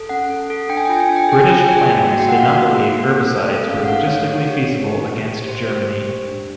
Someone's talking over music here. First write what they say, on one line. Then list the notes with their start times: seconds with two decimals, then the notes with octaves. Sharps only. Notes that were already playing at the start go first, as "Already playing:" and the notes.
British planners did not believe herbicides were logistically feasible against Germany.
Already playing: A4
0.09 C#4 F#5
0.30 A4
0.50 A4
0.69 D4 G5
0.77 G#5
0.85 G5
0.89 F4 G#5
1.00 G5
1.09 D4 G#5
1.16 G5
1.24 G#5
1.29 G#4 G5
1.40 G#5
1.48 F4 G5
1.55 G#5
1.63 G5
1.68 G#4 G#5
1.79 G5
1.89 A#3 G5
2.09 F#4
2.19 G5
2.29 A#3 F#5
2.38 F5
2.49 F#4 F#5
2.69 A#3
2.89 A#3
3.08 A4
3.29 A3
3.49 A4
3.68 C#4 F5
3.84 F#5
3.88 A4 F5
4.07 A3 C#5
4.28 G4 C#5
4.47 G4
4.67 D4
4.88 G4
5.08 G4
5.28 G4
5.47 G4 C5
5.67 G4
5.88 G4
6.07 G4
6.27 D4